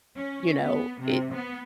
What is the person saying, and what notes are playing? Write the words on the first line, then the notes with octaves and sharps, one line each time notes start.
you know, it
C#4
B3
C3
B3